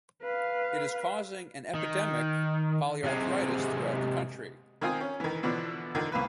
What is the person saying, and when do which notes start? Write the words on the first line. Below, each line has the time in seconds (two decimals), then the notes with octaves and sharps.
It is causing an epidemic polyarthritis throughout the country.
0.22 B4 F5
1.75 D#3
3.04 C3 G#3
4.81 D#3 C4 F4 G#5 D#6
5.00 C#4
5.20 D#3 E3
5.43 B2 D3 E3 F3 B3 D4
5.95 D3 D#3 F3
6.12 C2 A#3 B4